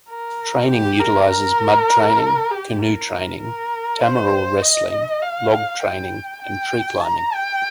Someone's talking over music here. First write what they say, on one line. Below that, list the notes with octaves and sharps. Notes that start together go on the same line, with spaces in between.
Training utilizes mud training, canoe training, tamaraw wrestling, log training and tree climbing.
A#4
G4
A#4
A#4
G4
A#4
A#4
C5
D#5
F5
G5
G5
A#5
G5